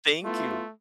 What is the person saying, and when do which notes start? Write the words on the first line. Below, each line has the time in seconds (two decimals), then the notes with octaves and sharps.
Thank you.
0.24 A3 B3 E4 F4